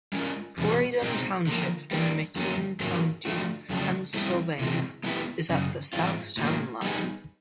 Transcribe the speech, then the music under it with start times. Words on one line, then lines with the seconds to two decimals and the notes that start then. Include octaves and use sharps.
Corydon Township in McKean County, Pennsylvania, is at the south town line.
0.13 G#3 C#4 F4 A#4
0.58 E2 B2 G3
1.02 B2 G#3 C4 D#4
1.47 D3 F3 A#3
1.91 G3 A#3 D4
2.36 F2 D3 F#3 A#3 C#4
2.80 G#2 D#3 F#3 A#3
3.25 F3 A3 D4 F#4
3.70 F2 C#3 F#3 A3 D4
4.14 G3 C4 E4 A4 C5
4.59 C3 E3 G#3
5.04 G#3 B3 E4 G4 B4
5.50 F#2 C#3
5.93 G#2 E3 G#3 C4 F4
6.37 A2 F#3 A#3
6.82 G3 B3 D#4 G#4